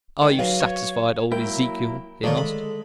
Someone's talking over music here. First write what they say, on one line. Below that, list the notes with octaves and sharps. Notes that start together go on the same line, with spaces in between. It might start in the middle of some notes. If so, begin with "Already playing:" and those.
"Are you satisfied, old Ezekiel?" he asked.
D#3 G#3
F#3 G#4 B4 F5
C#5
F#3 G#3 A#3 E4 A#4 G5
D3 D#3 G#3 A3 D4 F4 A#4 C#5
A4 B5